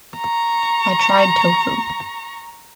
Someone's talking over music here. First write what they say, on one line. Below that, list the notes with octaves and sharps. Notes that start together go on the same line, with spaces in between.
I tried tofu.
A#5 C#6